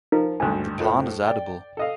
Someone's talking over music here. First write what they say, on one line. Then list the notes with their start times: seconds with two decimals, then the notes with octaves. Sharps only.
The plant is edible.
0.12 F3 D#4 A#4
0.40 G#1 D2 G2 G#5 F#6
0.80 F2 A2 F3
1.26 D5 G5
1.77 A4 D#5 F5